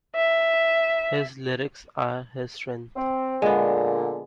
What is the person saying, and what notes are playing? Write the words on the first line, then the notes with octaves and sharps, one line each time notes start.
His lyrics are his strength.
E5
C4
A#2 D3 G#3 B3